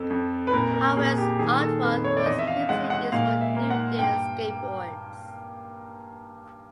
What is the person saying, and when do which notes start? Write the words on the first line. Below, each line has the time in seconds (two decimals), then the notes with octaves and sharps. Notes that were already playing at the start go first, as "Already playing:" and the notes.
Howell's artwork was previously used for New Deal Skateboards.
Already playing: F2 A4
0.10 F2
0.47 B4
0.53 A#2 A#4
0.74 A#4
0.96 A#2 G#4
1.18 G4
1.39 D#3 G#4
1.61 A4
1.82 F2 B4
2.04 C#5
2.17 D5
2.26 E2 D#5
2.39 E5
2.47 F5
2.69 G#3 F#5
2.90 F#5
3.12 A#2 F5
3.41 E5
3.56 A#3
3.70 F#5
3.99 G2 G5